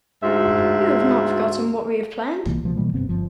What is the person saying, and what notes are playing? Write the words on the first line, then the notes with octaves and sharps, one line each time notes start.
You have not forgotten what we have planned?
D2 G#2 F4 F#4 E5
C2 A#2 E3
C#2 B2 F3 A#3
B2 E3 G3 A#3
G1 C3 B3 C4
G1 F3